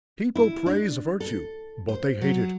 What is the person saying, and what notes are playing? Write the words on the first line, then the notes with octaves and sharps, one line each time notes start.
People praise virtue, but they hate it.
E4
D4
A4
C5
F#3